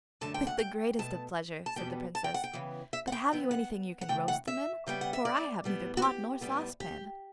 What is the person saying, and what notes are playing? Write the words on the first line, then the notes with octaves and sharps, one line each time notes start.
'With the greatest of pleasure!' said the Princess; 'but have you anything you can roast them in? for I have neither pot nor saucepan.'
F#2 D3 A3 A5
G5
F#5
G5
B2 A3 A5
A5
E2 B2 G3 B3 G5
A5
G5
F#5
G5
C#3 E3 B3
E5
F#5
G5
F#2 E3 B3 G5
F#5
F#5
C#3 E3 A3 G5
F#5
E5
C#3 G3 B3 G5
F#5
E5
D5
A2 G3 B3
F#4
G4
A2 G3 B3
G4